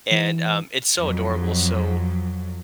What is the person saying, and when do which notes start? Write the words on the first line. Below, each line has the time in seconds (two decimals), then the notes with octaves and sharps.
and, um, it's so adorable. So,
0.11 E3
0.97 F2 F#3